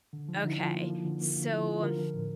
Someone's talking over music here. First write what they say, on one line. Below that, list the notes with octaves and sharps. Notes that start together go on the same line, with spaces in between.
Okay. So, um
D3
F3
D#4
D3 E4
F3 F4
A#3
F3
D3
A#3
D3
F3 E4
D3 F4
D3 A#4
F3
A2